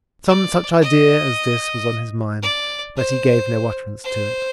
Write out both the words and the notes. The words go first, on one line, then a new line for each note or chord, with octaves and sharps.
Some such idea as this was on his mind, but he gave no utterance to it.
D5
D#5
D5
C5
C5